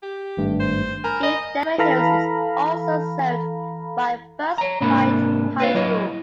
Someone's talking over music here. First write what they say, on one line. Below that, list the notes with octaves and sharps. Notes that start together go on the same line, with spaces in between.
Kill Devil Hills is also served by First Flight High School.
G4
G#1 G2 A3
C5
A#4 G#5 A#5 B5
D#5
E3 A4 F5 A#5 B5
C#5 A#5
G#2 C3 A#3 D4 B5
B4 C#5 F5
F#3 E4 C#5 D#5